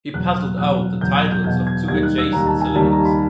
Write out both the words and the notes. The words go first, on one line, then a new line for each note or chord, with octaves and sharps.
He puzzled out the titles of two adjacent cylinders.
E2 B2 F#3 F#6
F6
E2 B2 F#3 F#6
E2 B2 F#3 G6
G#6
G6
E2 B2 F#3 G6
G#6
D#2 D#3 G3 G#6
F#6
E6
D#2 D#3 G3 A#5
A5
G#5
D#2 D#3 G3 A5
A#5
B5